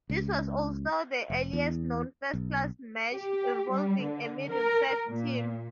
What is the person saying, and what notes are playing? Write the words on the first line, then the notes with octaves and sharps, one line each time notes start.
This was also the earliest known first-class match involving a Middlesex team.
C#2
F1
E2
B1
G4
G3
D3
A#4
A#2